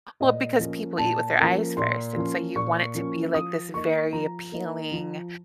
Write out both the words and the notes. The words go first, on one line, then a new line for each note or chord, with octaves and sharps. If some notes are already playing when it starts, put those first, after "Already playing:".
Well, because people eat with their eyes first, and so you want it to be, like, this very appealing
A#2 D#5
F3 A#3 C#4
A#2 A5
F3 A#3 C#4
A#2 C6
F3 A#3 C#4
A#2 C#6
F3 A#3 C#4
F3 D#6
A#3 D#4 C#6
F3 A#5
A#3 D#4
F3